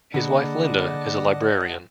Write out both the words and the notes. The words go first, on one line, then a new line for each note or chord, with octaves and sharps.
His wife Lynda is a librarian.
D3 A#3 G#4 D5 D#5 F#5 A5 B5